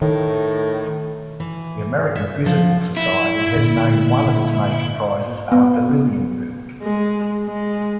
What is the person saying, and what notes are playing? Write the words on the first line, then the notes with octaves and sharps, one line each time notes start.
The American Physical Society has named one of its major prizes after Lilienfeld.
A2 D#3
E3
E5
F3
E4
A#2 D3
B3
G#3
G#3